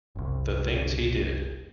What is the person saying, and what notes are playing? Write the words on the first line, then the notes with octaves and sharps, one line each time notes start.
The things he did.
F#1 C2